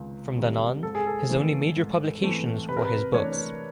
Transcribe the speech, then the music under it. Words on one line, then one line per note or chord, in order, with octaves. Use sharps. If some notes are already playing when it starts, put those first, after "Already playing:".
From then on, his only major publications were his books.
Already playing: C#2 C3 D#3
C3 D#3 G3
G#2 A4
G#4
A4
E3 A3 C4
G#2
E3 A3 C4
C3 B4
A#4
B4
E3 A3 D4 C#5